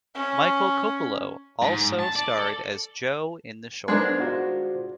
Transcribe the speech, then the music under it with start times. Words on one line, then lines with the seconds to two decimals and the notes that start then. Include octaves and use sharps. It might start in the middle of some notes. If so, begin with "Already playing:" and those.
Michael Kopelow also starred as Joe in the short.
0.15 C#4
1.62 G#2
1.99 A5
2.16 D5
2.38 A4
3.88 G#3 B3 D4 D#4 A#4 C5
4.19 F4 F#4 C5